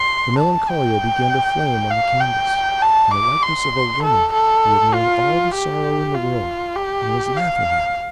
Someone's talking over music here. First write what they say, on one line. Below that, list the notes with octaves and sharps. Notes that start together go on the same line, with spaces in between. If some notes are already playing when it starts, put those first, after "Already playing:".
The Melancolia began to flame on the canvas, in the likeness of a woman who had known all the sorrow in the world and was laughing at it.
Already playing: C6
A5
G5
F5
G5
A5
D6
C6
A4
A4
F4
G4
F4
G4
F5